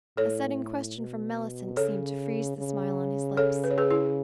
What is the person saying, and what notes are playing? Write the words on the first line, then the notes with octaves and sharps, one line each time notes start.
A sudden question from Mellicent seemed to freeze the smile on his lips.
A2 A4 C#5
B2
C#3 A4 C#5
C#3
A4 C#5
B4
C#5
G#4 B4
E4 G#4